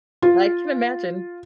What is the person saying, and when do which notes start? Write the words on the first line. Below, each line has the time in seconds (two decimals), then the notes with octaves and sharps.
I can imagine.
0.22 F4